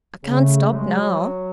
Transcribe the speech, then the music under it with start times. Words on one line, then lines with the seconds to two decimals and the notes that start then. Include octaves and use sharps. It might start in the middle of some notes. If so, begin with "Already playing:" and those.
"I can't stop now."
0.23 C#3 A3
0.71 F#3
0.75 G#3
0.93 F#3
1.11 F#3